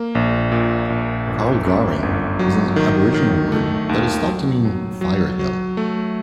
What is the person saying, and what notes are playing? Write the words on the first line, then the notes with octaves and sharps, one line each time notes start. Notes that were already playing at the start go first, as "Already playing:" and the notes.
Karlgarin is an Aboriginal word that is thought to mean "fire hill".
Already playing: A#3
A#1
A#2
A#1
G1
F#2
G1
F#3
D#3
D#3
A3
D#2
F#3
F#3
F#3
F#3
A3